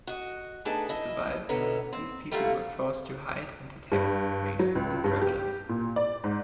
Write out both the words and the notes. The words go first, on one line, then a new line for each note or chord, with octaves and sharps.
To survive, these people were forced to hide and attacked traders and travelers.
F#4 D#5
A3 B3 D4 D#4 G#4 A5
E4 D#5
B2 D3 B3 C#4 D#4 E4
C4
G3 A3 A#3 F4 F#4
G2
F#3
C#2
G2
G4
A#2
D5
G#2